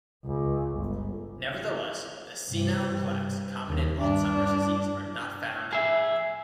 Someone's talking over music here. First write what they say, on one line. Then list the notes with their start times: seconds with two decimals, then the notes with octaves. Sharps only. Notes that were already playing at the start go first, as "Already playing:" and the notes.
Nevertheless, the senile plaques common in Alzheimer's disease are not found.
0.25 C#2
0.76 G1
2.48 G2 C3
3.68 D#2
4.00 G2 D4
5.73 G#4 E5